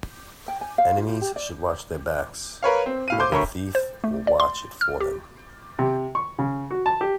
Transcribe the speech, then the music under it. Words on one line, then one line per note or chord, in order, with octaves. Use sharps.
Enemies should watch their backs, or the thief will watch it for them.
G5
G#5
F5
F4
F4
G4
D5
A#4 B4 C#5 F5
C4
A2 F5 D#7
C5 C6 D6 G6
D2 A#4 C#5 B5 C#6
C5
A3
D5
C6
F6
G4
C3
C#6
C#3
F#4
A5
G4